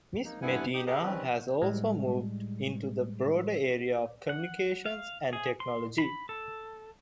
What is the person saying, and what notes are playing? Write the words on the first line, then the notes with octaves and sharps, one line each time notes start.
Ms. Medina has also moved into the broader area of communications and technology.
A#3 D#4
G2 D3 B3 E4 F#5 G#5
D#4 G4 D#6
G4 G#4 A#4 D#5 F5 F#5
D#3 G3 C4 C#4 B4
A2 G3 G#3
F#5
F5
G#4
C6
B5
A4